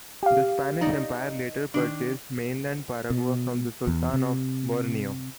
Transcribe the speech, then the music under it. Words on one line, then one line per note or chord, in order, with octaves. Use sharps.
The Spanish Empire later purchased mainland Paragua from the Sultan of Borneo.
G4 F5
D#4 D5 D#5
D#3 D4
B2
E2
C3